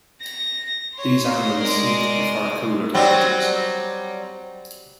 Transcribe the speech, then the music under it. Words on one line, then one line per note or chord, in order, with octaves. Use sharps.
These animals seem to prefer cooler temperatures.
A#6
C#5 C6 A#6
G#3 A#4 D5
F#3 G3 C4